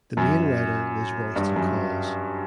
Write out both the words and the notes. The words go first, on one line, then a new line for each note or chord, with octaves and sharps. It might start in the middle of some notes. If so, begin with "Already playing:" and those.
The main writer was Royston Caws.
F#2
G2
F#2